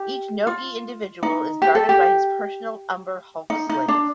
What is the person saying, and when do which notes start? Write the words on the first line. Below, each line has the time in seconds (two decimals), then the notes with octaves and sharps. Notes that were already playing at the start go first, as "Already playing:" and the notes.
Each neogi individual is guarded by his personal umber hulk slave.
Already playing: G4
0.47 F4
1.23 D#4
1.62 G4
1.75 A4
1.89 G4
3.50 D#4
3.69 D#4
3.88 D4